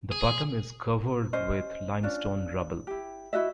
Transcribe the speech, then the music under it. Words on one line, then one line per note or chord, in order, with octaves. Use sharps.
The bottom is covered with limestone rubble.
G#4
C#4 C5 D#5
C#4 D4 F4
E4 G4
E4 F#4 D#5 E5